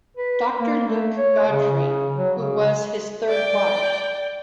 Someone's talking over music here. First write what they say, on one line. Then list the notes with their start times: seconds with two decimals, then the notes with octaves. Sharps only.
Doctor Luke Godfrey, who was his third wife.
0.17 B4
0.58 A#3
0.88 A3
1.17 C#5
1.49 C#3
1.74 C#3
2.17 F#3
2.38 C#3
3.29 D5 G5